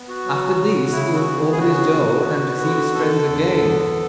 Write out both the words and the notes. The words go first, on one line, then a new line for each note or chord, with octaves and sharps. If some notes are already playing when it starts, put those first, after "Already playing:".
After this he would open his door and receive his friends again.
Already playing: B3
F#4
F#3
C#3
C#3 E4
F#4
B3
G#4
C#3 F#4
B3
B3
D3
D3 A4
E2
B3